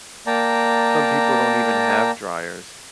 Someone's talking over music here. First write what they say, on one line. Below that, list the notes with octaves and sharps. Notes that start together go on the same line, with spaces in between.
some people don't even have dryers.
A#3 D5 G5 A5 A#5